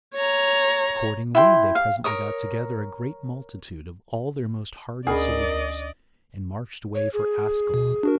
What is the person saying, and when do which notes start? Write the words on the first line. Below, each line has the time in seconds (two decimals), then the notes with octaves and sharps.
Accordingly, they presently got together a great multitude of all their most hardy soldiers, and marched away for Ascalon.
0.15 C#5 A#5
1.35 E4 G5 C6
1.75 F5
2.04 A#4 C#5 D#6
5.07 D2 C#4 G#4 A#4 D5 D#5 B5
6.95 C#5
7.13 G#4
7.74 B2
8.03 D4 F#4 A#4